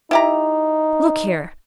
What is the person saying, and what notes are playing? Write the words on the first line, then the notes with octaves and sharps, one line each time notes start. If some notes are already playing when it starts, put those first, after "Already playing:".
"Look here!"
D#4 E4 G4 A#5